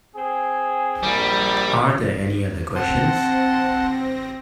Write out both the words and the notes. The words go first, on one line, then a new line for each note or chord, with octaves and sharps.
Are there any other questions?
C4 G#4
A#1 G3
C4 F#5 A5 C6 A#6